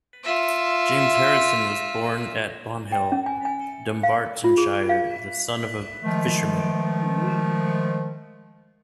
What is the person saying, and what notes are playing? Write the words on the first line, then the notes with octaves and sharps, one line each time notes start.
James Harrison was born at Bonhill, Dunbartonshire, the son of a fisherman.
F4 E5
G5
C#4
G#5
G#5
F5
F4
G#4
F5
D#3 F3 G#3 A3